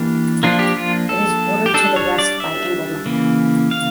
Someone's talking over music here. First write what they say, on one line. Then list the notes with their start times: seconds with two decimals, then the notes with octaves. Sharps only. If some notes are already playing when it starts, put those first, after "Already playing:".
It is bordered to the west by Inglenook.
Already playing: E3 A#3 D4 G4
0.43 F3 A#3 D4 F4
0.59 G4
0.76 F4
1.09 A4
1.66 G4
1.74 G3 D4 A4
1.96 C#5
2.19 D5
2.40 E5
3.06 C#3 E3 A#3
3.71 F5